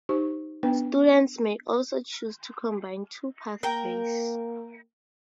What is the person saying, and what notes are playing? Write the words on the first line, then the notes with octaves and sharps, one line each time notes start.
Students may also choose to combine two pathways.
D#4 G4 C5 C#6
B3 D4 B4 G5
A#3 A#4 G5